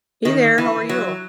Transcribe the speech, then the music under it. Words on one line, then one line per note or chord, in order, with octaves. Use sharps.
Hey there, how are you?
D#3
E3
F#3